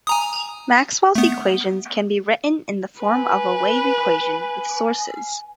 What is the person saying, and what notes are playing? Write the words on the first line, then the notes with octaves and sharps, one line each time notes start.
Maxwell's equations can be written in the form of a wave equation with sources.
G#5 A#5 D#6
A3 B3
B4 G#5